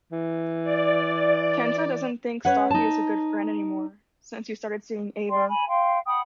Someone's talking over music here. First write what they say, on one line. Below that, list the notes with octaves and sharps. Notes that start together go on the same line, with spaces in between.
Kenta doesn't think Stoffe is a good friend anymore since he started seeing Eva.
E3
D5
C#4 B4 C#5 F#5
D#4 A5
D5 G5 C6
G#5 B5
F5 G5 C6
F#5 G5 B5 D#6